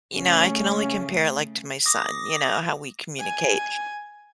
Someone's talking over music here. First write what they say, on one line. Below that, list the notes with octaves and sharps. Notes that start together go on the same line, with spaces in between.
you know I can only compare it, like, to my son, you know, how we communicate.
C#3 A3 C#4
D6 D#6 A#6
G#5